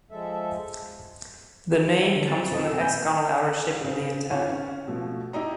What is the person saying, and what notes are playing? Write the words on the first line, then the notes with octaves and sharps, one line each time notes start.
The name comes from the hexagonal outer shape of the antenna.
F3 G#3 A4 E5
E5
D3 E3
F#3 C4 A6
E2 A#2 C4 F4 A4 D#5
E4 E6
A#2 A#3 G#5 B5 G6
C#3 C4
E3 C#4 F4 C#5
C#4
B2 F3 A3
E4 G4 D#5 A#5